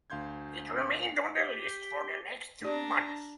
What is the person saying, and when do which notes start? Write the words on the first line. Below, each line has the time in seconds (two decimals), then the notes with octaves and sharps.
It remained on the list for the next two months.
0.10 D2 F5 C6 G6 G#6
1.38 G4
2.65 D4 G4 D5 A#5